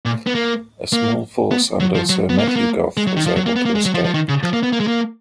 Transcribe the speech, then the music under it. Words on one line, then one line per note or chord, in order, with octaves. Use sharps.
A small force under Sir Matthew Gough was able to escape.
A#2
B3
A#3
A#3
B3
F#3
F3
F#3
B3
A#3
B3
A#3
G#3
F#3
D#3
F3
F#3
A#3
B3
A#3
G#3
F#3
F3
F3
D#3
C#3
F3
A#3
B3
A#3
G#3
A#3